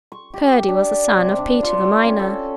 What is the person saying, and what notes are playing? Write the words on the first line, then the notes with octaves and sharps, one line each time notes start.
Curdie was the son of Peter the miner.
C#6
G4
D4
C3
D4
F4
G5
C#4
A4